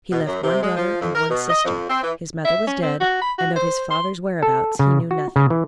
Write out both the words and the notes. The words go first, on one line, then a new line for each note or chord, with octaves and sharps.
He left one brother and one sister; his mother was dead, and of his father's whereabouts he knew nothing.
B2
F#2
C3
G#3
F3
F2
A#4
B2
D#5
F2
C4
E3
E5
C#4
C4
F#4
B5
F#4
C5
C6
A4
C#3
F#4
C#3
E3